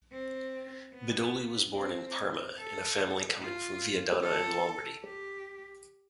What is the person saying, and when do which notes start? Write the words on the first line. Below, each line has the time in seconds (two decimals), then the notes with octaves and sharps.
Bedoli was born in Parma in a family coming from Viadana in Lombardy.
0.12 C4
0.94 B3
1.76 C4
2.58 A4
3.40 F4
4.23 A4
5.04 G4